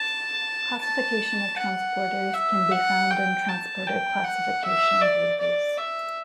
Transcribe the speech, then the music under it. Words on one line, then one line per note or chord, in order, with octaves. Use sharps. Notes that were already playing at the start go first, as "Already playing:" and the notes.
Classification of transporters can be found in Transporter Classification Database.
Already playing: A5
A5
F#5
E5
F#5
G5
A5
G5
F#5
E5
D5
D5
E5